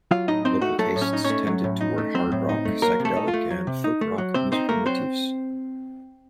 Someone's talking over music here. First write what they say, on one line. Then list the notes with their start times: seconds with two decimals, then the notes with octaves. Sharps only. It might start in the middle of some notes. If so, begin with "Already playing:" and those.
Local tastes tended toward hard rock, psychedelic and folk-rock musical motifs.
0.11 F#3 F4 F5
0.28 A2 D#4 D#5
0.45 C4 D#4 C5
0.61 A3 F#4
0.79 F#3 A3 A4
0.96 A2
1.01 C#4 C#5
1.13 D#4
1.24 C#4 C#5
1.30 A3
1.47 F#3
1.64 A2
1.81 D#4
1.98 A3
2.15 F#3 C4 C5
2.32 A2
2.49 D#4
2.65 A3
2.82 F#3 A#3 A#4
3.00 C3
3.05 A3 A4
3.17 D#4
3.28 F4
3.34 A3
3.50 F#3
3.67 C3
3.84 D#4
4.01 A3
4.18 F#3
4.34 C3 C4 C5
4.52 C4 D#4 C5
4.69 A3 A#3 A#4
4.86 F#3 C4 C5